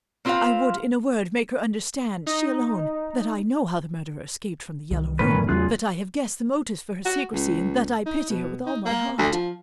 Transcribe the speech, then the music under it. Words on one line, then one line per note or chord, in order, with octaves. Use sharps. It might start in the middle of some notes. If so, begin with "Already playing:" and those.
I would, in a word, make her understand--she alone--that I know how the murderer escaped from The Yellow Room--that I have guessed the motives for her secrecy--and that I pity her with all my heart.
A#3 C4 F4 B4 C5 F5
D#4
C2 D#3
E1 A2 D#3 C#4 B4
F#2 D3
E2 C#3 F#3 A3 C#4 F4 G#4 F#6
F#4
C#2
D#4
B2
D#4
A#3
D2
F3